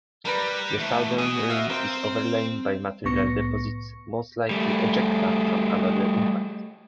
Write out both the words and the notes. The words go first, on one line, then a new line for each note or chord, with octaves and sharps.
The southern rim is overlain by material deposits, most likely ejecta from another impact.
G3 A#4 B4 A#5
E2 A3
F#4 G#4 D#5
E5 F5
C4 A#4 C5
C2 A2 B3 C#6 A#6 C#7
G3 A3